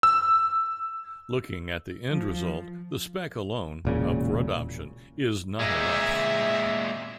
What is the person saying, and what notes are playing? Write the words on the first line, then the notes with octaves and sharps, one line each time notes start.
Looking at the end result, the spec alone, up for adoption, is not enough.
E6
F3
E1 A#2 C#3
A#2 G#3 E5